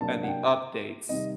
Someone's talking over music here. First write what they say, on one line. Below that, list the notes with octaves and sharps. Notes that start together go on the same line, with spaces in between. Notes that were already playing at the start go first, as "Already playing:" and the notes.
and the updates
C3 F#3 A#3 D4 A5
F#5
G5
C3 D#3 G3 C4 D#5